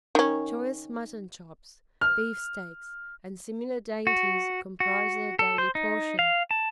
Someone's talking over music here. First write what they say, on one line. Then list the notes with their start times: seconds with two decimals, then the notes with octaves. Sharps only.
Choice mutton-chops, beef-steaks and similar dainties comprise their daily portion.
0.15 D#3 C#4
2.01 F6
4.07 F#4
4.80 F#4
5.39 A4
5.58 C5
5.75 D#4
6.19 F5
6.51 A5